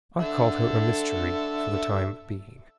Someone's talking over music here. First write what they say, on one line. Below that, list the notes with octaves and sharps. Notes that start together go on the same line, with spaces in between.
I call her a mystery, for the time being.
D3 A4 E5